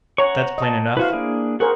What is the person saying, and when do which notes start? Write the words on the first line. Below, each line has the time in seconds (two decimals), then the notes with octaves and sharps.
"That's plain enough."
0.18 C#5 F#5 A#5 C#6
0.58 D#5 A5
0.97 E4 F#4 B4 C5 F5
1.13 A#3 D4 G#4
1.60 G#4 A#4 C5 F#5 C#6